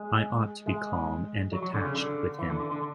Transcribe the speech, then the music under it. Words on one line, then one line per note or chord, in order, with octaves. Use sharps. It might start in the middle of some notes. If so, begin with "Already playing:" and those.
I ought to be calm and detached with him.
Already playing: G#3
G#3
F#3
F#3
D3
C#3
D3
E3
D3
D3
D3